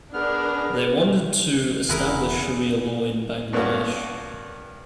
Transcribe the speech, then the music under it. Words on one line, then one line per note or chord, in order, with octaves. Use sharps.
They wanted to establish sharia law in Bangladesh.
B3 D4 G#4 A#4 F6
E1 E2 E4 G#4 A#4 F#5
G2 B2 A#3 C#4 F#4